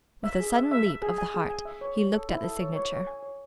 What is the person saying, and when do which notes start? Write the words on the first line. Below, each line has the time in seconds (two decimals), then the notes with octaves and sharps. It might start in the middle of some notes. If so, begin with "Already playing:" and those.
With a sudden leap of the heart he looked at the signature.
0.24 E5
0.40 G#4
0.55 E5
0.71 E5
0.86 E5
1.02 G#4
1.18 G#5
1.34 G#4
1.50 G#5
1.65 E5
1.81 C#5
1.98 C#5
2.13 A4
2.29 E4
2.44 A4
2.60 C#5
2.76 C#5
2.92 C#5
3.07 G#5
3.23 C#5